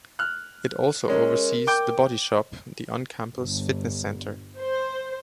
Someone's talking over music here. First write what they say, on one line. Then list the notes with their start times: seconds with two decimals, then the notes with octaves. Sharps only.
It also oversees The Body Shop, the on-campus fitness center.
0.19 F6 F#6
1.08 G#3 C#4 A#4
1.67 G5 D6 G6
3.34 G1
4.58 C5